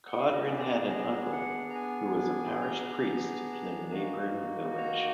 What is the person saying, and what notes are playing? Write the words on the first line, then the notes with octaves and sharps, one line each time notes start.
Coudrin had an uncle, who was a parish priest in a neighboring village.
F#5
F5
D#5
B3 D4 G#4 D5
D#5
F#5
A#5
G#5
G#5
A#5
A#3 D#4 F#4
A#5